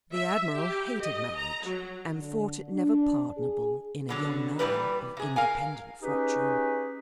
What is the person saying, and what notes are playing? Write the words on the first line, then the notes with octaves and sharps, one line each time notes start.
The Admiral hated marriage, and thought it never pardonable in a young man of independent fortune.
E5
G4
D#5
A#5
F#3
D3
D4
G#4
B2 D3 F#3
A#2 D#3 E3 G3 B4
C3 G#4
A#4 F5 G#5
C#4 D#4 G4 G#4 B4